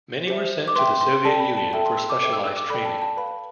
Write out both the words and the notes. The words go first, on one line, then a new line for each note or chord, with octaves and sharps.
Many were sent to the Soviet Union for specialised training.
G4 C5 E5
D6
B4 E5 G5 C6
C6
A4 D5 G5 A5
B5
A5
A4 E5 G5 A5
C6
E6
D6
A4 E5 G5 D6
E6
E6
D6
A4 D5 G5 B5
A5
A5
B4 F5 B5